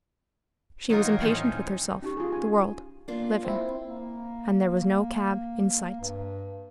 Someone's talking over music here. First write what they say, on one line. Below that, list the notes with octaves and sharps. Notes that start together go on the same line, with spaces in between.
She was impatient with herself, the world, living,--and there was no cab in sight.
F#3 D#4 F4 A#4
D#3 A#3
A2 A3 C4 C#4 D#4
C#4 D#4 G4
F4 G#4
G#5
A#3 D4 F4
C4 E4
A#3
G2